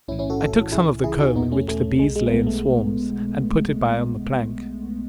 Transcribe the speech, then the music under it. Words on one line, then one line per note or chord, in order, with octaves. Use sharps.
I took some of the comb, in which the bees lay in swarms, and put it by on the plank.
B1 A2 E3 C#4 E4
C#4 E4
F#4 A4
B1 A2 E3 F#4 A4
C#2 C#3 E3 E4 G#4
C#2 C#3 E3 E4 G#4
D#4 F#4
E2 B2 B3 D#4
A3 C#4
E2 B2 A3
B1 B2 G#3
G#3
B3
B1 B2 A3
A3